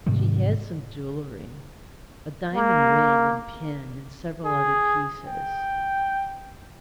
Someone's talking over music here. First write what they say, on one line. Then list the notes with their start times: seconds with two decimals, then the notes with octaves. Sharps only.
She had some jewelry--a diamond ring and pin and several other pieces.
0.06 G#2 C3 D#3 G3
2.54 A#3
4.46 G#4
5.27 G5